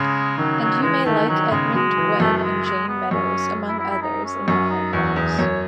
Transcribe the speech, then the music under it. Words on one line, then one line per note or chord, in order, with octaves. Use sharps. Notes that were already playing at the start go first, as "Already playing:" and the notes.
And you may like Edmund Gwenn and Jayne Meadows, among others, in minor roles.
Already playing: C#3 G#3
D#3 F#3
F#3
E3 G#3
D#3 A3
D#3 F#3
C#3 G#3
F#3 G#3
E3
F#2 A3
A3
G#3
G#3
B3
F#2 C#4
E4
E4
E4
D#4
C#4
F#2 C#4
D#4
E2 F#4
E2 G#4
F#2 C#5